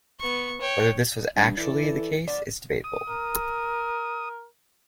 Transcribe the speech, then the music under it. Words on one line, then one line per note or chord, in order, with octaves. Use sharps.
Whether this was actually the case is debatable.
B3 C#6
C#5 G5
G2
E3 A4 D5
F3 B3 D4 D5
D#6
A#4